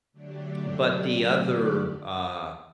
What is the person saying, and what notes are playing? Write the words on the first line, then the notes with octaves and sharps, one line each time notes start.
but the other, uh
D3 F#3 A3 D4 G4 D5